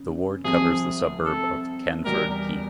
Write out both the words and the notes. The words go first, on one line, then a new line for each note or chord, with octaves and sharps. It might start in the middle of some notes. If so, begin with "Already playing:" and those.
The ward covers the suburb of Canford Heath.
Already playing: C#3
C2 C3 F3 G#4
A4
E2 B2 G3 A#4